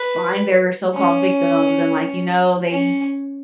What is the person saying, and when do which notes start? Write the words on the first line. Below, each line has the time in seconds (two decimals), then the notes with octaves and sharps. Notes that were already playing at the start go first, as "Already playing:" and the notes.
find their so-called "victims," and, like, you know, they
Already playing: B4
0.94 C#4
2.72 C#4